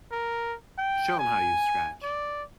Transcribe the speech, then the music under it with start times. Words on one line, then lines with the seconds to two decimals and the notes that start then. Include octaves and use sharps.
Show 'em how you scratch.
0.12 A#4
0.78 G5
1.19 G#5
2.03 D5